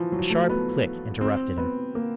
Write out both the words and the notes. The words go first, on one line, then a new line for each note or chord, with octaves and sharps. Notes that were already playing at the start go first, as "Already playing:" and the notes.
A sharp click interrupted him.
Already playing: E3 F3
F#3
A3
B3
C4
B3
A#3